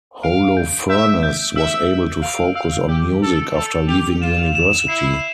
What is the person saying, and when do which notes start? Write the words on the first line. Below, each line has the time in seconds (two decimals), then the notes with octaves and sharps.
Holofernes was able to focus on music after leaving university.
0.23 F5 D7
0.57 G6
0.89 E5 G6
1.23 G6
1.56 E5 E6
1.89 E6
2.22 F5 D7
2.55 F5 E6
2.88 G4 G6
3.22 A4 F7
3.56 A4 F7
3.88 G4 F7
4.22 F4 E7
4.55 E7
4.88 E4 C7